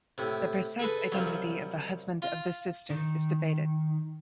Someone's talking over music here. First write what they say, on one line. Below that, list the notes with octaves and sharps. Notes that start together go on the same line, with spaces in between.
The precise identity of the husband of this sister is debated.
A2 C3
G#4 A4 B4
C2 F3 F#3
F4
D#3